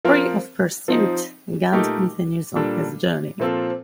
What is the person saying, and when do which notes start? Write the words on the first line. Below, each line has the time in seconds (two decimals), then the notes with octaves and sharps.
Free of pursuit, Gant continues on his journey.
0.05 F3 C4 F4 A#4
0.88 F3 C4 D#4
1.72 A#2 A3 D#4 G4 A#4
2.56 A#2 G3 D4 A4
3.40 A#2 F3 C4 F4 A4